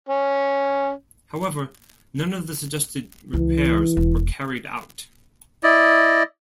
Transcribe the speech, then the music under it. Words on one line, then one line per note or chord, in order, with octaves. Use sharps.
However, none of the suggested repairs were carried out.
C#4
C#2 E3
E1
E4 D5 D#5